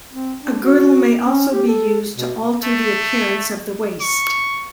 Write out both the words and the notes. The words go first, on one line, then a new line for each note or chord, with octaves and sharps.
A girdle may also be used to alter the appearance of the waist.
C4
D4
F#4
C#4
G4
A4
B2
A3
C#6